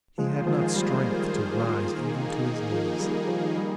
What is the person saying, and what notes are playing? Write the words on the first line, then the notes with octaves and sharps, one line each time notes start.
He had not strength to rise even to his knees.
D#3 F3 G#3 A#3 F4 G#4 C5
F3 G#3
G3
D#3 A#3 D#4 G#4
F3
G3
F3
G3